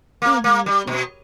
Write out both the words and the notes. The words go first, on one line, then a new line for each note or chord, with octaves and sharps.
Mhm. M
A#3
A#3
G3
B2